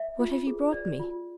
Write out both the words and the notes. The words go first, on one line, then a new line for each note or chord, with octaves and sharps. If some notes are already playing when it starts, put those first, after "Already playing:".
What have you brought me?'
Already playing: E5
F4
G#4
D5
F4